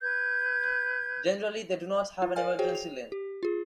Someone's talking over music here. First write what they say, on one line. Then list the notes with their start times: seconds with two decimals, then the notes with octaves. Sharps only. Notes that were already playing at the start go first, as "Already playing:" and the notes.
Generally, they do not have an emergency lane.
0.02 B4 G6 G#6
2.22 F4
2.36 A#4 D5 F5 G#5 F6
2.59 F#4 G#4 C5 C#5 G5
2.75 F7
3.12 G4
3.43 F4 G#4